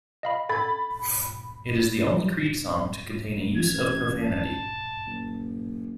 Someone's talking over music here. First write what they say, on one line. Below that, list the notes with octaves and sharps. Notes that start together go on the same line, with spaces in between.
It is the only Creed song to contain a use of profanity.
D#5 F5 B5
A4 B5 G#6 A6
A1 G#6
A5
F#1